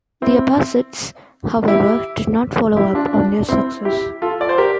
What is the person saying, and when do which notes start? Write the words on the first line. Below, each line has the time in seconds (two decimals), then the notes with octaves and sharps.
The Abbasids, however, did not follow up on their success.
0.22 C4 E4
1.68 E4 G4
2.77 E4 G4
2.94 D4 F4
3.13 D4
3.49 C4 E4
3.85 E4 G4
4.22 F4 A4
4.41 D5
4.49 C5
4.58 G4 A#4